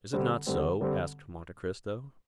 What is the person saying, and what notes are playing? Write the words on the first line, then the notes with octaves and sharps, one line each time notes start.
"Is it not so?" asked Monte Cristo.
D3 G3 C4
D3 G3 C4
D3 G3 C4